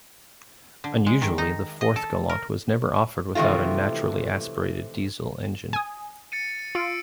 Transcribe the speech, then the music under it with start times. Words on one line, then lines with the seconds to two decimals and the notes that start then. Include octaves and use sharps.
Unusually, the fourth Galant was never offered with a naturally aspirated diesel engine.
0.84 D3
1.07 G#3
1.22 D#3
1.38 D#4
1.81 D#5
1.96 A4
2.29 A#4
3.35 C3 D#3 E3 A3 F4
5.73 G#5 D#6
6.32 A6 C#7 D#7
6.75 F4 E6 C7 D7